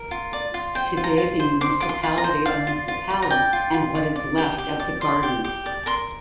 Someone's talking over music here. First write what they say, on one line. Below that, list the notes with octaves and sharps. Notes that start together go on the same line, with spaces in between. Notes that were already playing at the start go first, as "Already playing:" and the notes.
Today the municipality owns the palace and what is left of the gardens.
Already playing: A#4
F4
D5
F4
C5 G5
F4
A#5
F4
C5
C5 D6
F4 D6
C6
F4
A#5
C5
D5 F5
F4
F4
D5
A#5
D5 G5
F4
F4
D5
D5
G4
G4
D5
D5 C6
G4
G4
D5
A#4 C6